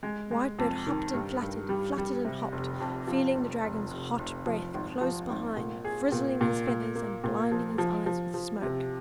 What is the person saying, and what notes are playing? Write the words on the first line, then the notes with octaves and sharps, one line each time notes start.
Whitebird hopped and fluttered, fluttered and hopped, feeling the dragon's hot breath close behind frizzling his feathers and blinding his eyes with smoke.
G#3
G#3
F2
D#3
G2
G2
G3
G3
C3
F1
F2
F3
F1
F1
F1
F1
F3
G#1
F3
G#1
A#2
G#4
A#2
A#2
A#2
A#3
A#2
F3
F3
F3
F3
C3